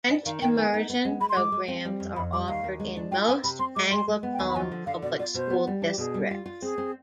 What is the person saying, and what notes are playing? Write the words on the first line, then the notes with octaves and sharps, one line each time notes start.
French immersion programs are offered in most Anglophone public school districts.
D4 D#5
D#3 F5
D#3 G5
B3 G#5
D#4
B3
G#3
G#3 B5
C6
G#3 D6
G#3
C4
G3
F2
F2 B5
G3 D6
D#2 F5
D#2
G#3
D4
F4 G5
C4 G#5
C3 B5
C4 C6
G#3 D6
G#3 C6
G#3
B3
G5
D#2 G#5
B5
F3 G#5
D3
D3 F5
B2 D5
F4 D5
B2 C5
B3
G3
D4
G4
B2 G#4
G3
F4
F4
C4 G#4
C4